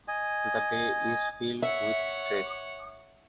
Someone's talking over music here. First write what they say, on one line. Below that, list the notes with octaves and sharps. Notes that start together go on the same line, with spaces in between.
The day is filled with stress.
D#5 G#5
C#5 E5 F#5